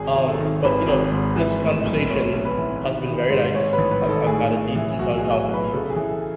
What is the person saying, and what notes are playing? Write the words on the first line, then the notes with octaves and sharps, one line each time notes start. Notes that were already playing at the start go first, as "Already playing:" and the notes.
um, but, you know, this conversation has been very nice. I've I've had a decent time talking to you
Already playing: G#1 G#4
G#1
A4
D#3
G#1 B4
G#1
G#2
E3 B4
A2
B1
A2 C#5
B1
B4
E3
D#3
D#3
G#2
G#2 C#5
B4
A1
B4
D#3
A4
A2 G#4
A2
E3
B1 F#4
G#4
A2
B1
B4
C#3 A4
G#4
E3
A4